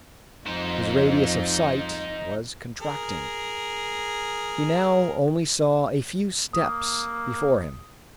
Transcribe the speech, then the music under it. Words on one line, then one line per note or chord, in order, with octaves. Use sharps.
His radius of sight was contracting. He now only saw a few steps before him.
F2 D#4 C5
G#4 A#4
A#3 D#6